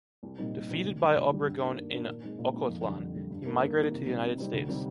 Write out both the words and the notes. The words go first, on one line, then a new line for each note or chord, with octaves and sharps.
Defeated by Obregón in Ocotlán, he migrated to the United States.
C2
A#2 G3 C4 D#4
C2
A#2 G3 C4 D#4
D2
D3 G3
D2
D3 G3
G2
D#3 A#3 D4
G2
D#3 A#3 D4
A#2
G#3 C4 D#4
A#2
G#3 C4 D#4
F2
D3 G3
F2
D3 G3
G2
D#3 A#3
G2
D#3 A#3
C3
G3 C4 D#4
C3
G3 C4 D#4
D2
C3 G3 C4 D#4